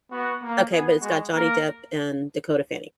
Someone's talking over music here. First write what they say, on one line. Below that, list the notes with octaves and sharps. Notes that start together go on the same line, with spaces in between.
Okay, but it's got Johnny Depp and Dakota Fanning.
B3 F#4
A#3
B3 G#4
G#3 F#4
A#3 A#4